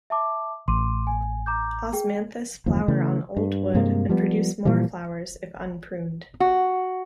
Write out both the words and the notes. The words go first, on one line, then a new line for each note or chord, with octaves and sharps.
"Osmanthus" flower on old wood and produce more flowers if unpruned.
E5 A5 D6
A1 C6 D6 D#7
G#5
A#5 D6 G6
G#4 G5
F#1 D#2 F3
C#3 E3 A3
G2
G2 C3 G#3 A#3
F3 G3 B3
A#2 E3 F3 G3
F#4